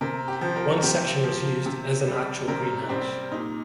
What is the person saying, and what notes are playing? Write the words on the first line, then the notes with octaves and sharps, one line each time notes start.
One section was used as an actual greenhouse.
C3 A#4
G4
F3
A#4
C3 G4
F3
C3
G3
C3 A#4
G3 C4
A#2 D#4